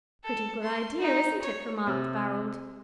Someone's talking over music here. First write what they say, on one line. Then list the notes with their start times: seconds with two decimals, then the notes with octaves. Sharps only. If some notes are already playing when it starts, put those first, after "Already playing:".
"Pretty good idea, isn't it?" remarked Barold.
0.24 A4
0.62 C6
1.00 D#4
1.42 C#5
1.87 C3